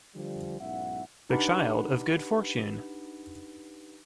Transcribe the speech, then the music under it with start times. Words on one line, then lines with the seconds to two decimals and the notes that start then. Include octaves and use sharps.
The child of good fortune!
0.15 D3 F3 G3
0.60 B1 G#2 C#4 E4 E5 F#5
1.30 D4 D#4 G4 B4 F#5 B5